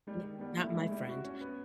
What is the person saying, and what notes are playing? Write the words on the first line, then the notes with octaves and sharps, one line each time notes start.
M not my friend.
G3 G#3
D#3
G3 B3
A#3
E4
A3
G#3 E4
G3
F#4
C#4
B3